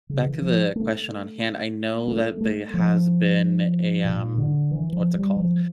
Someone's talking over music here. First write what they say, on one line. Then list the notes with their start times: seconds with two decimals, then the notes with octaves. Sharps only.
back to the question on hand, I know that they has been a, um, what's it called,
0.09 C#3
0.26 E3
0.42 F3
0.76 A3
2.08 A3
2.41 A3
2.74 F3
4.05 A#2
4.38 D3
4.71 E3
4.92 F3
5.15 G3
5.37 F3